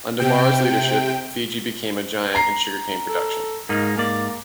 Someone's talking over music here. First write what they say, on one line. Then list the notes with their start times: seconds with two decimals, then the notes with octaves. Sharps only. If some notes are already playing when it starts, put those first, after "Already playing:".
Under Mara's leadership, Fiji became a giant in sugarcane production.
0.20 C3 G5
2.35 A#5 C7
3.09 A4
3.69 G#2 A#3 D#4 A#4
3.97 G#2 A#3 D5